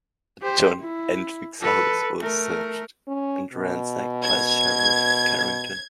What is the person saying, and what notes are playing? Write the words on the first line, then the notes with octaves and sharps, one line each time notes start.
John Entick's house was searched and ransacked by Sherriff Carrington.
G4 C5
E4
A4 B4
A3 A#4
C#4
B2
G#6